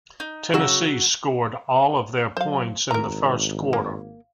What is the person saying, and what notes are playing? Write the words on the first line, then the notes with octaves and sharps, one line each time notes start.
Tennessee scored all of their points in the first quarter.
D#4
C#3 F#3 F#4 E6
F#3 C5 F5
G#1 A#4 A#5
A#3